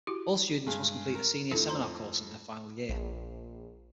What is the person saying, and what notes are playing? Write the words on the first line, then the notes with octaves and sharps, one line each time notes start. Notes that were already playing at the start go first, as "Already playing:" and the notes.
All students must complete a senior seminar course in their final year.
E4 F#4 G4
G2 G#3 G#4
A#4
F2 A3 D4 E4 A4
C5 A#5 C6
A#1